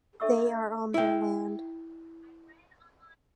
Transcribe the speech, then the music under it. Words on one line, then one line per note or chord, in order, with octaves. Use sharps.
They are on their land.
D4 A4 E5 C#6 E6
E4 G5